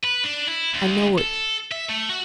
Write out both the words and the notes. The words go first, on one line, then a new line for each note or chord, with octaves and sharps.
I know it.
B4
D4
E4
D2
A4
E5
A3
F#4